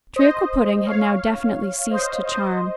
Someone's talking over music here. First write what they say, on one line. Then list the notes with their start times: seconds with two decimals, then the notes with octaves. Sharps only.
Treacle-pudding had now definitely ceased to charm.
0.16 C5 D#5
0.87 C#5 F5
1.91 C5 D#5
2.27 C5 D#5